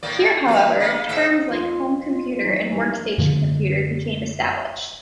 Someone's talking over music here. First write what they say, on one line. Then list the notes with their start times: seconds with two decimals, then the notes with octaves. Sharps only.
Here however, terms like home computer and workstation computer became established.
0.03 A2 A#3 D5
0.46 E2 D4 B4
0.80 A#3 B3
1.09 G#2 D4 E5
1.50 F2 F4
2.06 F4
2.42 E3 F#3 D#4
2.71 F#2 E3 G3
3.18 F#2 D3 F3 G#3